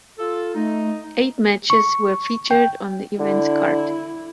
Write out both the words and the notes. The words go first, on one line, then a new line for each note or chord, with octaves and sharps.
Eight matches were featured on the event's card.
F4 A4
A3 D#4
C#6
G5
D3 E4